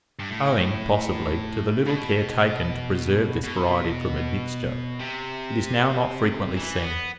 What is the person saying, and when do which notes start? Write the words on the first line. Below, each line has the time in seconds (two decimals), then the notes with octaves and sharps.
Owing, possibly, to the little care taken to preserve this variety from admixture, it is now not frequently seen.
0.19 G2
0.29 A2
1.86 B2
3.43 B2
5.00 C3
6.57 E3
6.83 B3